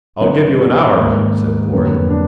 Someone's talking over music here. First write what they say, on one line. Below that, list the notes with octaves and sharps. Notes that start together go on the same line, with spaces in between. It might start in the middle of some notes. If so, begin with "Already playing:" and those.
"I'll give you an hour," said Borg.
F#2 D3 F#3 B3 D#4
G#2 D#3 A#3
F2 D3 F#3 A#3 B3
D4